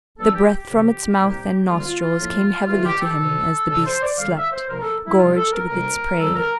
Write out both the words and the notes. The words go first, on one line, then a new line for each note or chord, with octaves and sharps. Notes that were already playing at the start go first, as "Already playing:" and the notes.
The breath from its mouth and nostrils came heavily to him as the beast slept, gorged with its prey.
G2 E3 G3 A#3 A4
G4
G4
F2 C3 E3
C2 A#2 G3 A#3
D2 D3 G3 A#3 F4
F4
F4
A2 F3 A#3
E2 D3 A3 F4
G4
A4
D2 C3 E3
D2 C3 F3 A4
C5
D5
F2 D3 G3 F5
E5
C5
C2 C3 F3 A#3 A#4
A4
E4
C2 C3 G3 F4
A4
A#4
D2 C3 G3 A#3 A#4
F2 D3 G3 A4
A#4